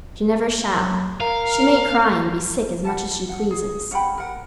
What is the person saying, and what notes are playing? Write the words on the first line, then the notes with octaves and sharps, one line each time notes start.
She never shall!--she may cry, and be sick as much as she pleases!'
F#3
A#4 F5
F#5 A5
F#5
G#4
C#4 F#5 G5 B5
A#4 F#5